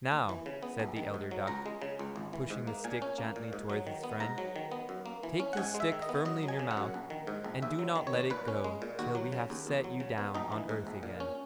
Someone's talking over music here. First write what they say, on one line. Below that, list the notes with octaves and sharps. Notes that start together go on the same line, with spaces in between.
'Now,' said the elder duck, pushing the stick gently towards his friend, 'take this stick firmly in your mouth, and do not let it go till we have set you down on earth again.'
D#2
E3
C#3
B3
A#1
D#3
G#2
F#3
C#2 A#5
G#3
C#3
C#2
G#1
E3
G#2
A#3
A#2 G#5
C#4
A#3
A#2
G#2
F#3
D#3
B3
G#2 A#5
F#3
D#3
B3
F#2
A#3
E3
C#4
F#5
G#2 G#5
G#3
E5
D#3
D#5
B3
F#2 D#5
F#3
G#5
C#3
F#5
F#2
A#1
D#3
G#2
A#1
D#2 E5
F#3
D#3
C#5
D#2
A#2 B4
C#4
G#3
A#2
D#2 F#4
F#3
C#3
D#2
E2
F#3
C#3
B3
A#1 D#4
E3
G#2
A#1
A#2
C#4